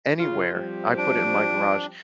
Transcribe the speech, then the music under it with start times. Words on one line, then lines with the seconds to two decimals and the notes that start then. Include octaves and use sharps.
anywhere- I put it in my garage-
0.20 C#3 F4
0.54 F3 G3 C4 G4
0.98 D4 D7